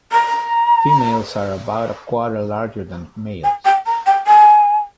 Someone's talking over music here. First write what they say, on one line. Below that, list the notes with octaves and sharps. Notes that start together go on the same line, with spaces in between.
Females are about a quarter larger than males.
A#5
G#5
G5
A#5
G5
G#5